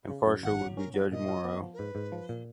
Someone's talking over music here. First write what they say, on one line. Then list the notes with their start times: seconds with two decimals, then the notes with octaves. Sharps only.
Impartial would be Judge Moro.
0.10 C#3
0.26 F#2
0.43 G#1 F#5
0.61 F#3
0.77 C#4 A#4
0.94 F#3 B4
1.12 A#2 D#5
1.28 F4
1.45 B3
1.62 F3
1.74 A#4
1.78 G#2 B4
1.95 G#2
2.12 F3
2.29 A#2